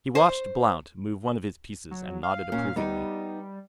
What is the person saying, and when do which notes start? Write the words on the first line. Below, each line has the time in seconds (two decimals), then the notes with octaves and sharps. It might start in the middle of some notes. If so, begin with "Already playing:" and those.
He watched Blount move one of his pieces and nodded approvingly.
0.15 C5
1.91 F#3
2.23 F5
2.52 A#2 C#4
2.76 G3 B3 D#4